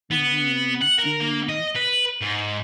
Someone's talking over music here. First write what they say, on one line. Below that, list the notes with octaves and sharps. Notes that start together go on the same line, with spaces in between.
Mhm, mhm.
B3
F#5
A#4
A#3
D#5
B4
G#2